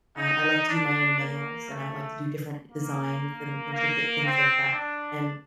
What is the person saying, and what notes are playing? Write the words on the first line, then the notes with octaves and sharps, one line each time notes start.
uh, I like to do my own nails, and I like to do different designs and intricate things like that, and
D#4
D4
A#3
A3
A#3
A#3
C4
D4